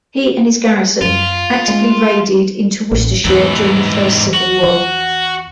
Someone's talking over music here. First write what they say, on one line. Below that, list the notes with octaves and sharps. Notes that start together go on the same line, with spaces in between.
He and his garrison actively raided into Worcestershire during the First Civil War.
F#2 F4
G#3
A1
E2 G#2 E3 B3
F#4